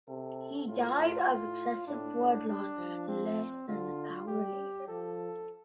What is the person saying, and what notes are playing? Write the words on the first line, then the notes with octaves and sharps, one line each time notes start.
He died of excessive blood loss less than an hour later.
C3 A4
A2 F4
A2
A2
A2 D4
A2
G3 D4
F3
C4
D3 F4
G3 G4
F3 A4